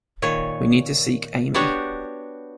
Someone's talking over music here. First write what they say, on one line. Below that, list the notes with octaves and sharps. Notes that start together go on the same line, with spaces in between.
We need to seek Amy.
A#2 D#3 C#5
B3 D4 F#4 G4 C#5